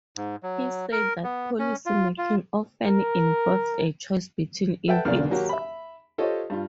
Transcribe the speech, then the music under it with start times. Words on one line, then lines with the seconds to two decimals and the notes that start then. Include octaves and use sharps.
He said that policy making often involved a choice between 'evils'.
0.17 G#2
0.43 F#3
0.92 A#4
1.24 B3
1.59 C#4
1.86 F4
2.18 F4
2.86 A#4
4.88 A4 B4 E5 F#5 G5 A5
5.05 B1 E2 C#3 A#3 D5 F6
5.31 D#2 F#3 A#3 F#4 G4
5.49 E5 B5
6.18 F4 G4 A4 C5 C#5 D#5
6.50 G2 F4